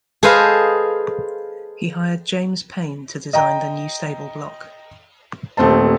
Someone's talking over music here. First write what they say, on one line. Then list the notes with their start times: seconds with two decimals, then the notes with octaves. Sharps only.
He hired James Paine to design the new stable block.
0.23 G#4 A4 B4 C5 D#5 F5
3.33 D#5 G5 A#5
5.57 D#1 D#2 A3 C4 C5 A5